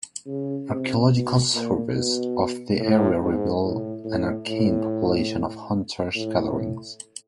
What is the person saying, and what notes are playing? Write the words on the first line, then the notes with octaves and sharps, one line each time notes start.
Archaeological surveys of the area reveal an archaic population of hunter-gatherers.
C#3
C3
B2
A#2
B2
A2
G#2
A2
A2
A2
A2